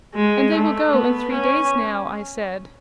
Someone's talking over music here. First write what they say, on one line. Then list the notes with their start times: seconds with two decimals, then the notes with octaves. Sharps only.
"And they will go in three days now?" I said.
0.14 G#3
0.54 A3
0.93 B3
1.33 C#4